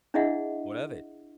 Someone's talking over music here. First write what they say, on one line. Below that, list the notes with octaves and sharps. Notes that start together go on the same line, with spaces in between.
"What of it?"
D4 E4 G#4 D#5 E5 F#5